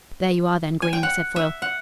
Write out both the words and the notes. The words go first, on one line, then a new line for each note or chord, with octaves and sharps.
"There you are, then, Green," said Foyle.
G#5
G5
F#5
E5
F#5